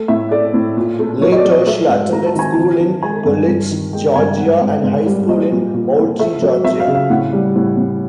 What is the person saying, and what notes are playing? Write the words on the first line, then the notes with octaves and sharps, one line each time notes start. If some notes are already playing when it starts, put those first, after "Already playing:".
Later, she attended school in Coolidge, Georgia, and high school in Moultrie, Georgia.
Already playing: A3
A2 E5
A3 D5
A2
A#2
A3
F#3 C#5
D#5
D5
A3
D#5
A3 E5
G#2
A3 A#5
A5
D#3 G#5
D#3 A5
D#3
G#3 G#5
G2
G2
D#3
G#3 G5
G2 G#5
G#2 F#5
G#2
G#2
G3
A#2 D#5
A#2
A#2
A3
A3 E5
F#3
F#3 E5
F5
C#3
F5
A2 F#5
G3
A2
A2